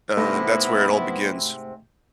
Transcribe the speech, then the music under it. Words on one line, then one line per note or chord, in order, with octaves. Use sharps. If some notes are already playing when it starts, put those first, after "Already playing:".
uh, that's where it all begins.
G#2 C3 A3 B3 E4 F#5 B5 A#6